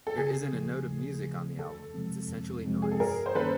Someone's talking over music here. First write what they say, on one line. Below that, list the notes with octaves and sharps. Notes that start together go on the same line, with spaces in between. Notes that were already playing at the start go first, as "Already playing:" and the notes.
There isn't a note of music on the album; it's essentially noise.
A4
C#3 G#4
F3 A3
C#3
F3 A3
F2 A4
C3 F3 G#3 C4
F2
C3 F3 G#3 C4
G#4
A4
G2 G#4 A#4
C5
D#3 G3 A#3 C#4 A4 B4